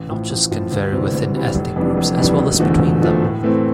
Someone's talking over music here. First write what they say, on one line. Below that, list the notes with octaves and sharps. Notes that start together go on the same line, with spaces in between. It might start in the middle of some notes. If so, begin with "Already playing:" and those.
Notches can vary within ethnic groups as well as between them.
Already playing: A1
A2 F3
A1
A2 F3
D2
C3 E3 G3
D2
C3 E3 G3
F1
F2 E3 G3 D4
F1
F2 E3 G3 D4
E1
E2 D3 F3 A3
E1
E2 D3 F3 A3
A2
E3 A3 C4